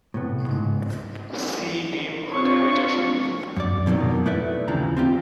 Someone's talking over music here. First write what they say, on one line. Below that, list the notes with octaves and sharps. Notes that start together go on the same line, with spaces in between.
See beam diameter.
A2 C3 B3
C#2 G#2
C4 D4 F4 C#5 C#6
F#2 D5
F2 B2 D#3 E3 F#3
A3 E4 B4 D5 E5
D#2 C#3 E3 F3 D4 A#5
C4 F4 G4